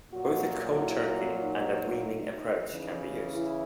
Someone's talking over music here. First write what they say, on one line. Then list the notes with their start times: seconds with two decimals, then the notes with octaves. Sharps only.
Both a "cold turkey" and a "weaning" approach can be used.
0.12 A#2 F#3 F#4
0.76 E4
1.41 D#4
1.73 D#4
2.70 C#3 E3
3.35 E4